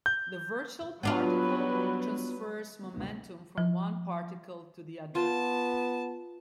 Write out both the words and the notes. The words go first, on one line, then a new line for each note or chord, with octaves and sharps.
The virtual particle transfers momentum from one particle to the other.
G6
F#3 G3 B3 D4 F4 B4
F3
B3 F4 A5